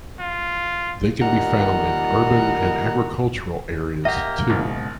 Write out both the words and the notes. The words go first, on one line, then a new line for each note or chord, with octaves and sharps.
They can be found in urban and agricultural areas, too.
F4
A#2 D#3 G3 A#4 D#5 F#5
A#3 G4 D#5 E5 F#5
F#1 G#2 B2